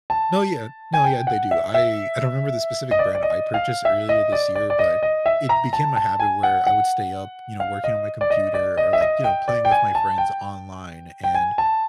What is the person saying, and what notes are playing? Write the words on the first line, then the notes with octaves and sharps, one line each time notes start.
No, yeah. No, yeah, they do. I I don't remember the specific brand I purchased earlier this year, but, it became a habit where I would stay up, you know, working on my computer or, like, you know, playing with my friends online, and,
A5
G#5
G5
F#5
E5
E5
D#5
D5
D5
D#5
F5
E5
D#5
D5
D5
D5
D#5
D#5
E5
A#5
A5
A5
G#5
F#5
F#5
F5
D#5
D5
D#5
D5
D#5
E5
D#5
G5
D5
G5
G#5
A5
G5
G5
G#5
A5